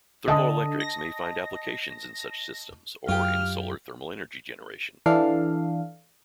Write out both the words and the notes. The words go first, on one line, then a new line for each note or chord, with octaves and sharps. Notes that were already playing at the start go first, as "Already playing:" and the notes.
Thermoelectrics may find applications in such systems or in solar thermal energy generation.
D3 D#5 A5 D#6
A#6
F#2 F4 G4 F6
E3 D4 A4 F5